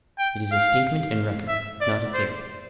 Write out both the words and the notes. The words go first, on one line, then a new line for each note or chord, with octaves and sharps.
It is a statement and record; not a theory.
G5
F5
E5
D5
C5